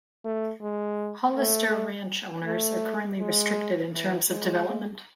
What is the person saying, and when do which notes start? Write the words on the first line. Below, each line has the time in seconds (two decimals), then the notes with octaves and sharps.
Hollister Ranch owners are currently restricted in terms of development.
0.25 A3
0.62 G#3
1.36 A3
2.45 A3
3.20 G#3
3.94 E3
4.30 G#3